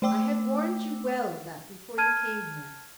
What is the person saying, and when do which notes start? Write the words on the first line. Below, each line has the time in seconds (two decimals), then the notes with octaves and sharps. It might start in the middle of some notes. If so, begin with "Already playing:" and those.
I had warned you well of that before you came here.
0.02 A3 C5 G5 D6 E6
1.98 A5 F6 G#6 D#7